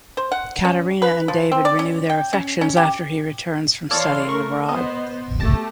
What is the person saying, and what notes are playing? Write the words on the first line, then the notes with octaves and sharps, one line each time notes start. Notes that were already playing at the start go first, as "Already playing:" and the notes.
Katerina and David renew their affections after he returns from studying abroad.
C5
F#5
C#4
B4
F3
C4
D5
C#4
G5
C#4
C#4
G4
E3 A4 C#5 D5 F5 C6
A3 A#4 C#6
B3 C5 D#5
A3 G4 A5 A#6